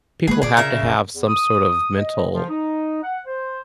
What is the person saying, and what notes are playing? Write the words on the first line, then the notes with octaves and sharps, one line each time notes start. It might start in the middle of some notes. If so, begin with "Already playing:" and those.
people have to have some sort of mental
G#3 A#3 G#4 B4
D4 F4 G#4 D5
C#3 A#4 E5
F1
E2
D#6
D#5
F3
D#4
F#5
C5